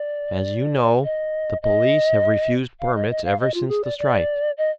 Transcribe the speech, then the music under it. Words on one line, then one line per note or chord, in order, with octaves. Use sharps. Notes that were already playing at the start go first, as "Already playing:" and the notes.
As you know, the police have refused permits ever since the strike.
Already playing: D5
D#5
D#5
F5
D#5
D#5
F5
D#5
F4
G#4
D5
D5
D#5